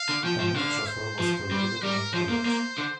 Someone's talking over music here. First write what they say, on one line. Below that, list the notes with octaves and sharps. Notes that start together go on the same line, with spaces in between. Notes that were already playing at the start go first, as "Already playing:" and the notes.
An image of her was paraded in a carriage.
Already playing: F5
D3
F3 G5
F3
D3 F5
C5
F3
G3
G3 A#4
F3 C5
A#3
A#3
D3